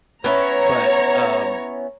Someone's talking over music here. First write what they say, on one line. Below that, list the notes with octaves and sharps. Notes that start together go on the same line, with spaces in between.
but, um,
B3 C#4 E4 C#5 A#5